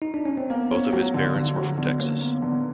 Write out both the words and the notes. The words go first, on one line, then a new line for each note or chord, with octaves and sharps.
Both of his parents were from Texas.
D#4
D4
C#4
C4
A#3 B3
C#4
F#3
D3
D3
F#3
D3 B3
A#3 C#4
A#3 B3
D3 B3